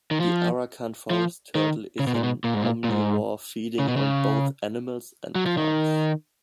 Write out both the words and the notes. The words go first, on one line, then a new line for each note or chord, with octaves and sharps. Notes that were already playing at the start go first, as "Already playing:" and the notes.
The Arakan forest turtle is an omnivore, feeding on both animals and plants.
D#3
F3
F3
D#3
C#3
B2
A#2
B2
A#2
G#2
A#2
A#2
G#2
C#3
B2
C#3
F#3
F3
D#3